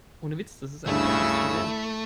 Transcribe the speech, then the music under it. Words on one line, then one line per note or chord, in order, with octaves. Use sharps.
Ohne Witz, das ist ein reales Problem.
D2 G2 C#3 A3 E4 E6